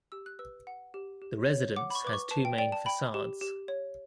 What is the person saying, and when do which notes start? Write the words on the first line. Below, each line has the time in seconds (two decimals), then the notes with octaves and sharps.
The residence has two main facades.
0.12 G4 E6
0.26 F#6
0.39 B4 E6
0.67 F#5
0.94 G4
1.22 G4
1.49 C#5
1.76 F#5 D6
1.90 B5
1.95 C#6
2.05 B4 D6
2.13 C#6
2.31 B4 A5
2.45 G5
2.58 D5 G5
2.72 A5
2.86 G5 B5
3.14 G4
3.41 G4
3.68 C#5